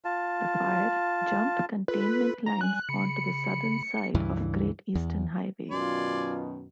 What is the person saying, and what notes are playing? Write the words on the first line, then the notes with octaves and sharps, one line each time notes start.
The fire jumped containment lines onto the southern side of Great Eastern Highway.
F4 A5
F4 A4 B4
A#5
G3 G#5 F#6
C#3 B5 C#7
C#2 G2 E3
E2
F#2 B2 D#3 F4 D5 G#5 C6